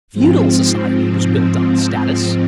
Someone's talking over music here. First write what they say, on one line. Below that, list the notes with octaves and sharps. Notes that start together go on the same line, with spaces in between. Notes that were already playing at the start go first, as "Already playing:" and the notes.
Feudal society was built on status.
G#2 F3 C4